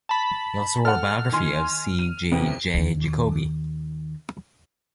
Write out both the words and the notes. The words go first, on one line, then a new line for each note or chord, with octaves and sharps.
He also wrote a biography of C. G. J. Jacobi.
A5 B5
A4 F#5 F6
D#3 G#5 C6
D#7
C2 F2 B3
D#2 D#3